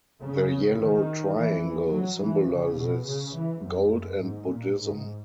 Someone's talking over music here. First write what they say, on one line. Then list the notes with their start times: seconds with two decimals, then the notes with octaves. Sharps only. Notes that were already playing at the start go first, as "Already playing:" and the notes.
The yellow triangle symbolizes gold and Buddhism.
0.22 C#3
0.80 D#3
1.36 E3
1.93 F#3
2.22 E3
2.51 C#3
2.79 B2
3.07 C#3
3.36 E3
3.63 F#2
4.21 G#2
4.49 A#2
4.78 G#2